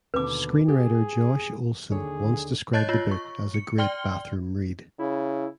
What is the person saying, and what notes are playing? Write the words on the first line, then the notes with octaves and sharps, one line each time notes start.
Screenwriter Josh Olson once described the book as "a great bathroom read".
D#2 B2 D3 B4 D6
G4 G#4
D#2 D3 G#4 C#5
C#5 D#5 A5 F#6 G6 A6
F4 C#5
C#6
C#7
D5 G5 C6 F6 G7
C#3 E4